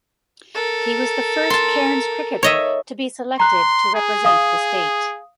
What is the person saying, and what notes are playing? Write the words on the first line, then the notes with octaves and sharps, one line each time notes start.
He was the first Cairns cricketer to be selected to represent the State.
A4 A#4
A5 C6
C#5 D#5 E5
A#5 C6 F#6
G#4
F5 D#6